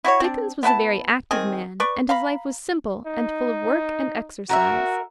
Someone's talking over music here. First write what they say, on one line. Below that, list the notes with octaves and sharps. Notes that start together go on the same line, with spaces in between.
Dickens was a very active man, and his life was simple and full of work and exercise.
E4 F#4 C5 C#5
C4 D4
B3 E4 B4 A5
D#3 C4 G#4
B4 D5 C#6
F5 A#5 B5
D#4
F#4 A#4 C5 E5